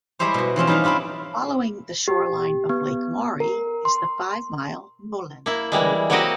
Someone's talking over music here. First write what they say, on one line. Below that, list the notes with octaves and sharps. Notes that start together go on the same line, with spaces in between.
Following the shoreline of Lake Maury is the five-mile Noland Trail.
G3 G#3 E4 G4 C5 C#5
B2 F#4
E3 F3 C4 C#4
G3 D#4 F4 C#5 F5
C4 D4 E4 F4 G4
G4
B3
A#4
C6
A#3 E4
E3 G3 G#3
F#3 A#3 C4 F#4 G4 D#5